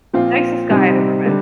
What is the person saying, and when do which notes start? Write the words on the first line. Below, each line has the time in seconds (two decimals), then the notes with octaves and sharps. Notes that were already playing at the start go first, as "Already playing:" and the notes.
Nicest guy I've ever met.
0.14 A#2 F3 C4 F4
0.70 C3 G3 C4 D#4
1.26 D3 G3